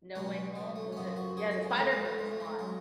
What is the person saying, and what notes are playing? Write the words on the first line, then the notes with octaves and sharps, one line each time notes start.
No Way Home, was it yeah, the Spider-Verse one.
C#2 B2 F#3 C#4
B3
A3
C#4
F#2 C#3 F3 B3
F#4
G#4
A4
B3
G#3
F2 F3 A3
G#3
A3
G#3
A3
G#3
A3
F#3 G#3